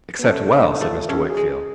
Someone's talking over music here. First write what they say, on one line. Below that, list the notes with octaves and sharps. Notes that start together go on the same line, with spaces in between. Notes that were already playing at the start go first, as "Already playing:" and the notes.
'Except well?' said Mr. Wickfield.
B3
A3 C#4
A3 D4
A3 F4
C#4 A4
G#4
F#4
G#4
G#3